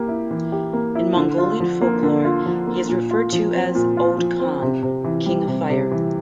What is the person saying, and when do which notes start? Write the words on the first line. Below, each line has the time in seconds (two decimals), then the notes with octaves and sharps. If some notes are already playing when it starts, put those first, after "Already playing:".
In Mongolian folklore he is referred to as the Od Khan "king of fire".
Already playing: A#3 G4
0.08 E4
0.31 E3
0.52 G4
0.73 A#3
0.95 E4
1.17 D3
1.38 F4
1.60 F3
1.81 A#3
2.03 D3
2.25 F4
2.46 F3
2.67 A#3
2.89 A#2
3.11 F4
3.32 F3
3.54 C4
3.75 A#2
3.97 F4
4.18 F3
4.40 C4
4.62 C3
4.83 C3
5.04 E3
5.26 G3
5.48 C3
5.70 C3
5.91 E3